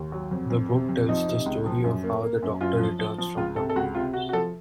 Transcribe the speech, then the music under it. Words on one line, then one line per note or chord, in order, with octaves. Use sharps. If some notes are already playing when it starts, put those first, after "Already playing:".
The book tells the story of how the Doctor returns from the moon.
Already playing: D#2
F#3
F2
F2
C3
F2
F3 D#4
C3
C#2
F3
F#2
A#3
A#3
F#2
F#2 F4
F3
F3
F3
C#2 F4
C3 A4
A4
C#2 F#4
C3 F4
C3 F#4
F#4
F3 A4